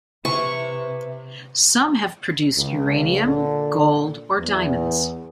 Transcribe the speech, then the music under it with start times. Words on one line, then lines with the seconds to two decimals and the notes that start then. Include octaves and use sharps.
Some have produced uranium, gold or diamonds.
0.25 C3 B4 E5 C#6
2.56 C#2
3.24 A#2 D3
4.39 E2